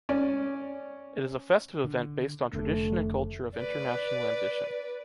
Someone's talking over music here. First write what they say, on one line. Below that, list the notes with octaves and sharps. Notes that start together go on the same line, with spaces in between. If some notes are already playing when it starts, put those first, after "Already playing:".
It is a festive event based on tradition and culture of international ambition.
C#4 D5
D3
F1 D3 A3
B4 D5